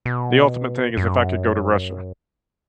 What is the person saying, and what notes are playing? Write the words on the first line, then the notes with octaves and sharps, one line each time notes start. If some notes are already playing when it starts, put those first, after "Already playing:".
the ultimate thing is if I could go to Russia.
B2
F#2